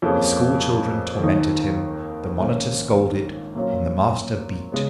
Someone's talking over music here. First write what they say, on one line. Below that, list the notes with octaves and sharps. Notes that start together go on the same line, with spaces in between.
The school-children tormented him, the monitor scolded, and the master beat.
F2 F3 A#3 C#4 G#4
D#2 D#3 A#3 D#4
A#1 G#2 D#3 A#3 C#4
A#2 F#3 C#4 F4
C#3 G#3 B3